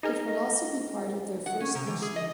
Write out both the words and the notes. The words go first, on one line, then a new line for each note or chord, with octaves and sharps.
It will also be part of their first mission.
D#4 G#4 A#4 D#5
F#5
C#4
C3
E3
G#4
D#5